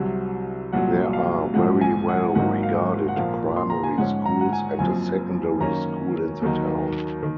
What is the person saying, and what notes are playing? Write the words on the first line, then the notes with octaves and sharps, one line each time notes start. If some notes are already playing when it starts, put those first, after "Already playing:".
There are very well regarded primary schools and a secondary school in the town.
Already playing: C2 C3 F#3
C2 A#2 F#3 F#5
F5
A#1 G#2 F3 G#3 F#5
G#5
F#5
G#1 G#2 F#3 A#3 D#4 F#5
F5
F#5
A#1 A#2 F3 A#3 F5
C6
A#5
G#5
G#2 F3 G#3 C#4 F#5
A#5
F#5
G#5
F#1 F#2 F3 C4 G#5
F#2 D#3 A#3 C#4 A#5
D#2 D#3 F#3 A#3 D#4
D#3